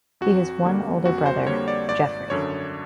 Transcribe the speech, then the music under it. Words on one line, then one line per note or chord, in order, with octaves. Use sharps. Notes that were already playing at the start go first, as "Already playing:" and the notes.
He has one older brother, Jeffrey.
F2 F#4
D3 G3 A#3
F2 F#4
C5
D3 G3 A#3 C#5
D5
G#1 D5
F#2 D3 C#5